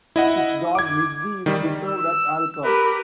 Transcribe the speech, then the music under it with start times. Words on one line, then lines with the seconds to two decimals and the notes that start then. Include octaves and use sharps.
His dog Mitzi is preserved at Alcor.
0.16 E4 D#5 F#5
0.75 D6 G#6
1.46 D#3 G3
1.86 E6
2.64 G4 A#4 B4